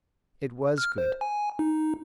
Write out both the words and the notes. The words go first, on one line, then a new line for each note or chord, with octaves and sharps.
It was good.
F6
C5
G#5
D#4